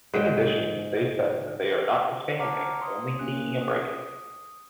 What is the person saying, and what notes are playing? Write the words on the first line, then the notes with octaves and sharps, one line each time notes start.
In addition, they said they are not disbanding, only taking a break.
G#2 G5
C#5 F#5 A5 A#5 D6 F6
C#5 C6 D#6
A#3 C#4 F#6
D#6